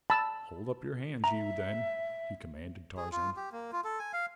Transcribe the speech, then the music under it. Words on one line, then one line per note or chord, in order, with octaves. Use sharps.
"Hold up your hands, you, then," he commanded Tarzan.
A5 B5 E6
E5 A#5
G#4
F4
G4
A#3
F4
A4
G#5
F5